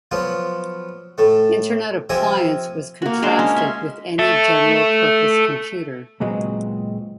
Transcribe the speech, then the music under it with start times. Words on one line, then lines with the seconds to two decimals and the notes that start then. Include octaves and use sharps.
Internet appliance was contrasted with any general purpose computer.
0.11 F3 F#3 B3 F4
1.18 A2 A3
2.09 C3 F3 E5 G#5 A#5
3.02 A#3 F#4
3.22 G#3 D4 A#4 C5
3.39 C#4
3.57 E5 C6
4.19 A4 E5
6.20 C#2 A#2 F#3 G#3 B3 C4